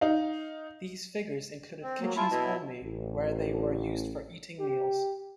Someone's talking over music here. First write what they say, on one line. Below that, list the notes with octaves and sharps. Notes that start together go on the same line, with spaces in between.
These figures included kitchens only where they were used for eating meals.
D#4 F5
C4
F#3 A#3
E4 F4 A5
B2 E4
A1
G4